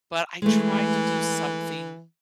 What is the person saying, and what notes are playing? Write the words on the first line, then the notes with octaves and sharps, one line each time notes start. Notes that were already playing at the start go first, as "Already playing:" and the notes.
but I try to do something
E3 G#3 A3